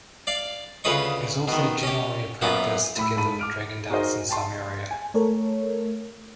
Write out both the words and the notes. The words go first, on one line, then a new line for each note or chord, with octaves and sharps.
It is also generally practised together with Dragon dance in some area.
D5 F5
D2 C#3 F4 B4 D#5 C#6
B2 D#3
C#4 G4
F#2 A#2 B3 C#4 D6
A2 B5 E6
G#2 A5 B5 D#7
D6 F6 D7
D#4 F#4 G#4 A#4 C5 D#5
G5 A5 C6
G#5
A3 A4 A#4 C#5